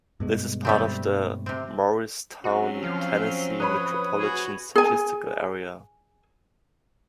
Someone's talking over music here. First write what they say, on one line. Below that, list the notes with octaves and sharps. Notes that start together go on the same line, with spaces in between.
It is part of the Morristown, Tennessee, Metropolitan Statistical Area.
G2 B2 G#3
G3 A3 C4
C3 C4
F#3 C4 C#4 F#4
F3 F5
B4 C#5 B5 D#6
F#4 G#4
G#4 G#5